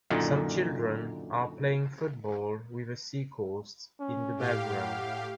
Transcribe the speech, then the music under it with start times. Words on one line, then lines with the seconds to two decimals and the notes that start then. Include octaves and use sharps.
Some children are playing football with a seacoast in the background.
0.10 F#2 A#2 D3 D#3
4.00 C#4
4.36 A2 G4 F5
4.68 F#5